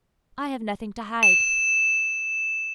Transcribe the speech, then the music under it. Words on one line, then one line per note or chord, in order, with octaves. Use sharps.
I have nothing to hide.
E7